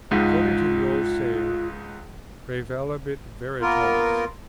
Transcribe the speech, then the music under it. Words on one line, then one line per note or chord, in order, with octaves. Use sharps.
According to the old saying, Praevalebit Veritas.
C#2 G#2 F4
A#3 B3 F4 A#4